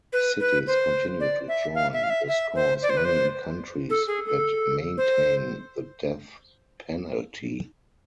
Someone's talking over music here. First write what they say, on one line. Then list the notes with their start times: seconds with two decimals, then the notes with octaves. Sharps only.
Cities continue to join this cause, many in countries that maintain the death penalty.
0.13 B4
0.40 B4
0.67 C5
1.20 D5
1.48 E5
1.75 F5
1.93 E5
2.03 F5
2.10 E5
2.28 E5
2.55 C5
2.82 D5
2.90 C5
2.97 B4
3.05 C5
3.90 A4
4.07 G#4
4.26 A4
4.97 C5